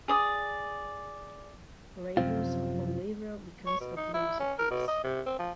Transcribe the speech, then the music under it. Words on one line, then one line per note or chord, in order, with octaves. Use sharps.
Ravel's "Bolero" becomes a bluesy piece.
G#4 D5 D#6
F#2 C3 D#3 F3 C4 F4
C#5
B2
D#4
E4
C#4
A#4
B2
D#5
C3
C4
F3